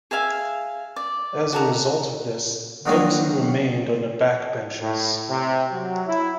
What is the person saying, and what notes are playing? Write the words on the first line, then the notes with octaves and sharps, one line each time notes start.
As a result of this Dempsey remained on the backbenches.
G#4 E5 F5 G#5
D5
F#4 A5 A#5
D3 D#3 F#3 A#3
A2
C3
F#3
E4